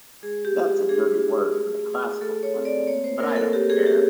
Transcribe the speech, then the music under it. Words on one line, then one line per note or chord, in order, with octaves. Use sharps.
That's a dirty word in the classical department, but I don't care.
G#3 G#4
G4
G#3
G4
D4 G#4
F#4
A3
A3
A3 A4
C#5
C4
D5
A#3 C#5
C5
A#3 A#4
A4
F#4 G4
G#4
C#4 G4